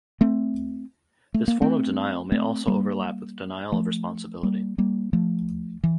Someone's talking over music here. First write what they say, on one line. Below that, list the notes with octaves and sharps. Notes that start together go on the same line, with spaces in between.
This form of denial may also overlap with denial of responsibility.
A3 C4
A3
A#3
A3 C4
A3 C4
G3 A#3
F3 A3
G3 A#3
G3 A#3
F3 A3
E3